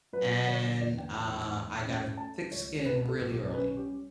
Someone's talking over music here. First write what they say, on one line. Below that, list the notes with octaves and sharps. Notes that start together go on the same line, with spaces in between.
and, ah, I got a thick skin really early,
F#3 B4
D3 C#5
E2 D5
G5
E2 A5
A2
C#4
A3 A5
C#2 C#5
B2 B4
A4
B1
G4
C#4 B4
G4
G3